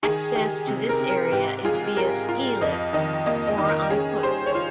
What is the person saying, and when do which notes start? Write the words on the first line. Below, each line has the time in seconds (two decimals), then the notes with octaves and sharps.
Access to this area is via ski lift or on foot.
0.03 D#3 G#4
0.35 D#3 G4
0.67 C3
0.89 A#4
1.00 C3
1.10 A#4
1.32 G#2 G4
1.65 F4 G#4
1.97 G3 A#4
2.29 F4
2.61 F2 D#5
2.93 D#3 D#5
3.26 A#3 D#5
3.47 D#5
3.58 D#3
3.68 A#4
3.90 C#4 G#4
4.22 G3 C5
4.46 C#5
4.55 F4